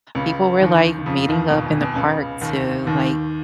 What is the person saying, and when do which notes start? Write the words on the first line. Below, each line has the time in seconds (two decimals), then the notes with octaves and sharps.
people were, like, meeting up in the park to, like,
0.15 C#2 C#3
0.60 D#2 D#3
1.06 F2 F3
1.28 D#2 D#3
1.50 B2
1.66 A#2
1.81 B2
1.96 C#2 C#3
2.41 D#2 D#3
2.86 D#2 D#3